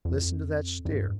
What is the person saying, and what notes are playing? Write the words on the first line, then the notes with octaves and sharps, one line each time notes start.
"Listen to that steer."
F2
F2
G2